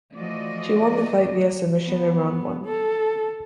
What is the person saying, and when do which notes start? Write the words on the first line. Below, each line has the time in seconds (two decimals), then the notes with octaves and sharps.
She won the fight via submission in round one.
0.13 E3 F3 A3 F#4 D5 D#5
1.86 B3
2.66 A4